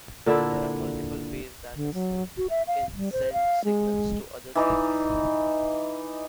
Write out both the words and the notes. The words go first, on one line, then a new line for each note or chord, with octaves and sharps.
There are multiple ways that a cell can send signals to other cells.
A#2 D3 D4 E4
D3
F#3
F#4
E5
F5
G3
C5
F5
G#3
E3 D#4 D5